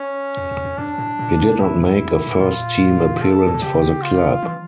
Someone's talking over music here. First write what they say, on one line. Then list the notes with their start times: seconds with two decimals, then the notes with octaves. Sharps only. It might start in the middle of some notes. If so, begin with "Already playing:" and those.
He did not make a first team appearance for the club.
Already playing: C#4
0.37 F2
0.51 E2
0.65 F2
0.78 G2 D4
0.98 A2
1.19 A#2
1.39 C#3
1.59 A2 E4
1.79 G2
2.00 F2
2.13 G2
2.27 A2
2.40 A#2 F4
3.21 A4
3.46 A2
3.54 A#2
3.62 C#3 G4
4.02 F4
4.43 E3